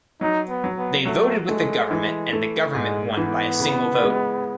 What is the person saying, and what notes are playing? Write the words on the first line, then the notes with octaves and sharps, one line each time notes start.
They voted with the government, and the government won by a single vote.
F#3 D#4
B3
F#3
B3
F#3 A3
G#3 A3
E3
A3
G#2 G#3
E3 B3
C#3
G#3